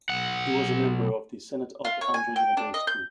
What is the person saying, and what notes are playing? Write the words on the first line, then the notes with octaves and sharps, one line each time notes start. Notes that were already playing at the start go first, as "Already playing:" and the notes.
He was a member of the senate of Andhra University.
B1 F#5
F4
C#5
G#5
G5
D4
D#5
G6